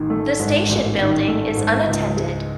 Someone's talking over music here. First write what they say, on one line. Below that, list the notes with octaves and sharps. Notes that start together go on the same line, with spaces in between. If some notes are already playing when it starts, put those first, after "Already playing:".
The station building is unattended.
Already playing: A1 D#3
A3
G#2
A1
D#3
A3
G#2
C#2
G#3